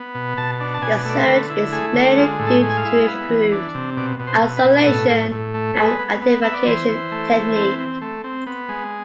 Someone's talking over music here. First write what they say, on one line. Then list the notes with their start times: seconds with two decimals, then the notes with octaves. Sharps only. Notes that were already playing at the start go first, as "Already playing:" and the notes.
The surge is mainly due to improved isolation and identification technique.
Already playing: B3
0.15 B2
0.37 B2 A5
0.61 D4
0.74 A5
0.82 B2 G#5
1.05 A3 D5
1.18 C5
1.27 D3 B4
1.50 E4
1.72 A3 G#4
1.94 D3
2.17 G#3 F4
2.39 A2
2.47 A4
2.62 G#3
2.70 G#5
2.77 F5
2.85 E4
3.07 B3
3.29 E3
3.52 D4
3.75 C3
3.97 B2 D5
4.20 B2
4.27 C5
4.42 B2
4.57 B4
4.65 B2
4.87 A2 A4
5.09 A2
5.32 A2
5.54 A3
5.76 G#3 B4
5.99 B3
6.22 B3
6.42 B3 E5
6.54 D5
6.67 E3 C5
6.88 E3
7.12 A3
7.34 E3
7.56 C4
7.78 C4
8.01 A3
8.24 C4
8.47 B3
8.69 G#3